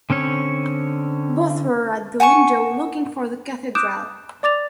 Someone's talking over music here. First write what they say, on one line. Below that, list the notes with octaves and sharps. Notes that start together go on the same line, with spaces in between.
Both were at the window looking for the cathedral.
D3 C4 C#4 C#5
F#5 G#5 A5 C#6
D6 D#6 F#6 G6 D7 E7
D5 D6 A6 F7